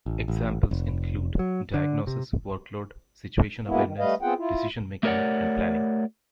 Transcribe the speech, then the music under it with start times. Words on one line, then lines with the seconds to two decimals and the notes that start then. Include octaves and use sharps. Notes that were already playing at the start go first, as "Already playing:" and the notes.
Examples include diagnosis, workload, situation awareness, decision making, and planning.
0.06 A1
0.28 A1
0.71 F1
1.39 F#3
1.74 D3
2.07 C3
3.67 G2 B2 G#3 A#3 B3 E4
3.84 G2 D#3
3.99 G3 A3 B4 D#5 F5
4.22 B3 C4 F4 G#4 F#5 G5
4.38 E4 F4
5.03 A3 G4 A#4 C#5 D5 F#5